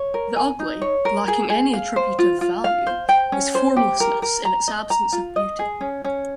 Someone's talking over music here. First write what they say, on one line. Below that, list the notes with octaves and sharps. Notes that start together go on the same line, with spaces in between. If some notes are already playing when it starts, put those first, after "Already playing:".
The ugly, lacking any attributive value, was a formlessness in its absence of beauty.
Already playing: C#5
A#4
G#5
D#4
C#5
A#4
G#4
G#4
F5
C5
F4
F4
F5
C5
G5
C#4
C5
G4
A#4
A#4
A#5
D#5
A#5
F4
D#5
G#4
C#4
C#4